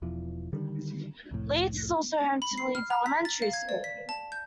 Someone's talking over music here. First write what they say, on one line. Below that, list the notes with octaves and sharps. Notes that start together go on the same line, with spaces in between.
Leeds is also home to Leeds Elementary School.
E1 E2 E3 F3
D3 D#3 G3
C2 F2 A2
B5
C7
F6
A#5
B6
A6
F5
G#6
D5
B6
A5
G6